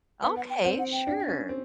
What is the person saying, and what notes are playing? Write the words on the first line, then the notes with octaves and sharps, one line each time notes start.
Okay, sure.
B3 F5
F#5
G5
C4 F#5
F#5
G5
D4
C#4
C4